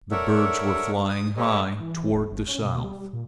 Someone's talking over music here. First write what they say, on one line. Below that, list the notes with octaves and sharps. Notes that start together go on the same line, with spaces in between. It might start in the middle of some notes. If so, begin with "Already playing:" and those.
The birds were flying high toward the south.
A4 A#4 C#5 D5 E5 F#5
D#6
G4 A4 B4 C#5 D#5
E3
E3
D#1
G1
C#4
B2
G3
A#2